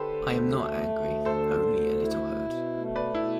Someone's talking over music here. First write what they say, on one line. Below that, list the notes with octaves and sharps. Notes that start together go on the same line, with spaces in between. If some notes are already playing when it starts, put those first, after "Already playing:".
I am not angry, only a little hurt.
Already playing: D3 G4 A4 B4 C5
D2
A3
D2
D3 A4 C5
D2
E4
B2
A3
B4 D5
B2 E4